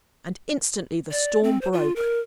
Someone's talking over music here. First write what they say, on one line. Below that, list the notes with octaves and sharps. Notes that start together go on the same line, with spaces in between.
And instantly the storm broke.
D5
C4
C5
F4
A#4